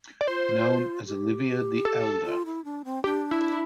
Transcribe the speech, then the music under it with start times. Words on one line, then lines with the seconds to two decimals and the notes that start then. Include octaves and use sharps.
Known as Olivier the Elder.
0.21 D5
0.27 F4 C5
1.06 G4
1.85 A4
2.25 F4
2.45 E4
2.64 D4
2.85 C4
3.04 D4 G4
3.31 E4